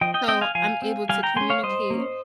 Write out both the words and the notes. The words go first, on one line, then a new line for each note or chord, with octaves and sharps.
so, I'm able to communicate
F3 D#5 G5
D#5 G5
C4 D#5 G5
F5 G#5
F3 F5 G#5
C4
G3 F5 G#5
G5 A#5
A#3 C#4 G#5 C6
C#5 F5
G3 C5 D#5
A#3 C#4